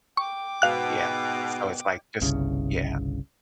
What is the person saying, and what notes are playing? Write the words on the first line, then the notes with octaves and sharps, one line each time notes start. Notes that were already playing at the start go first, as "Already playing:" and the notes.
Yeah. So it's like just yeah.
G5 C#6 D6
G#2 B2 F5 F#6
G1 C2 C#3